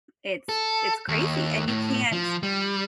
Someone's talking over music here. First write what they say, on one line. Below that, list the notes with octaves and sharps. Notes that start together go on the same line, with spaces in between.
it's it's crazy, and you can't
A4
D#2
A2
F3
G3